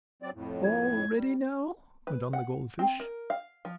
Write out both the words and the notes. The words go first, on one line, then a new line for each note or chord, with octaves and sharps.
"All ready now!" went on the gold fish.
F#3 C4 D5
F2 A2
G#6
G3
B4
F#5
C4
A#4
F5
F3